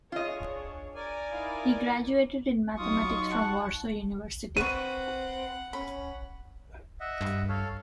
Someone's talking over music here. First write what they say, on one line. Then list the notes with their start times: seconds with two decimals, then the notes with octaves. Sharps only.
He graduated in mathematics from Warsaw University.
0.12 D4 F4 G#4 C#5 D#5
0.95 A#4 D5 G#5
1.31 D#4 E4 F5
2.79 F#3 D#4 F4 C#6 D#6
3.32 F#5 A5
4.57 C4 B4 F#5 C#6 D#7
5.73 C#4 B5
7.00 D#5 E5 F#5
7.21 G2
7.49 A4 C#5 F5